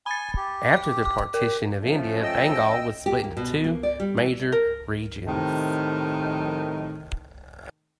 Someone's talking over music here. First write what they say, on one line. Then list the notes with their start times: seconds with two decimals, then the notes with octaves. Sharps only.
After the partition of India, Bengal was split into two major regions.
0.06 G#5 B5 A6
0.36 G4
0.73 D6
1.05 D6
1.34 G4 A#4
1.82 F3 A3 C#4
2.22 D#5 G5 E6
3.06 G4
3.24 A#3
3.37 B2
3.64 A#3
3.83 D5
4.00 G3
4.17 E3
4.52 A#4
5.27 A2 C3 D#3